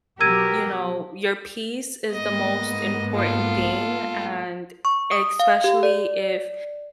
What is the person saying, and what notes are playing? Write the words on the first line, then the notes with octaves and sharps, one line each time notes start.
you know, your peace is the most important thing. And especially if
B2 F#3 G4 A#4 E6 G#6 D#7
G#2 A#3 B3 D#5
F4 A4
C#6
D#6
F5
G4
D5